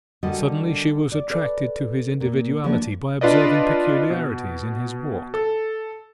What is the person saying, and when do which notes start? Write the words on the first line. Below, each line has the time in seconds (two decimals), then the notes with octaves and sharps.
Suddenly she was attracted to his individuality by observing peculiarities in his walk.
0.23 D3 G3 F#4 A#4 D#5
1.12 D5
1.30 A4 B4 D5
2.20 A#2
2.63 D2 E3 F3 G#3 A#3 D4
3.21 D4 F4 B4 D5 D#5
4.10 B2
5.34 A4